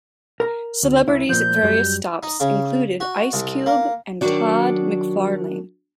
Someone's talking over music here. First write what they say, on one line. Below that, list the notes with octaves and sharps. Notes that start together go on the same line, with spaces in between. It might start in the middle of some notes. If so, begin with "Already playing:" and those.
Celebrities at various stops included Ice Cube and Todd McFarlane.
A#4 A#5
D2
C2 E4
A#2 F3 G6
F#2 G3
D#4
C#3
F#4
C2
A#3
D#3 F3 F#3 D4 F#4 D5